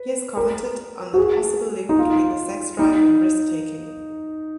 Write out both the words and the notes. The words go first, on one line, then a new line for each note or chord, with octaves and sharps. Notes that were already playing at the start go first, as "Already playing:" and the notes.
He has commented on the possible link between the sex drive and risk taking.
Already playing: B4
A#4
F#4
G#4
D#4
F4
D#4